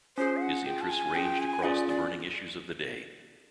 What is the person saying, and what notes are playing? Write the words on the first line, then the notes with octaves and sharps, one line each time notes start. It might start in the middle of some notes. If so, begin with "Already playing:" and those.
His interests ranged across the burning issues of the day.
C#4 F4 G#4 C5
F5
F#5
C#4 F4 G#4 G5
A5
G#5
C#4 F4 G#4 G5
G#5
C#4 F4 G#4 D5
D5